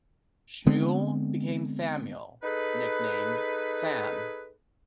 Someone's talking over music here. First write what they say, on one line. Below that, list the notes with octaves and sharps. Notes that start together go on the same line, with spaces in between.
Schmuel became Samuel, nicknamed Sam.
D3 G#3 B3 C4
D#4 G#4 A4 B4